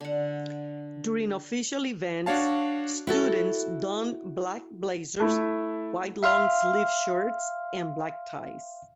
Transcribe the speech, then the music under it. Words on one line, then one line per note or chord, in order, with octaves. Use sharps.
During official events, students don black blazers, white long-sleeved shirts and black ties.
D3 F#5
D4 F#4 C#5 F5 A5
E4 F#4 A4
A3 E4
E5 F5 C6 F6